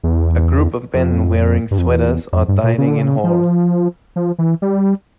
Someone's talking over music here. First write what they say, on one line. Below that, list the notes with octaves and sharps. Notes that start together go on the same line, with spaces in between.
A group of men wearing sweaters are dining in hall.
E2
F2
G2
F2
E2
F2
G2
A#2
C#3
D3
C#3
F3
F3
E3
G3